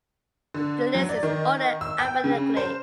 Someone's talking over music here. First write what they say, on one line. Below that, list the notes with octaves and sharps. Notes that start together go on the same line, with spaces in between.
The list is ordered Alphabetically.
D3
F#3
D5
D#3
E6
G5
C#3
C5